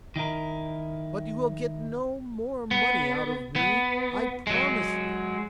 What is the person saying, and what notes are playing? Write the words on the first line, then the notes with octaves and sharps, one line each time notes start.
"But you will get no more money out of me, I promise you."
D#3 D#4 E4 A#4
B3
B3
F#3 G#3